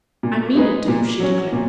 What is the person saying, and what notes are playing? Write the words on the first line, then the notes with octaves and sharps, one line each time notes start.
"I mean it to," she declared.
A#2
G#3 D#4 G#4 B4
A#2
F#3 C#4
A#2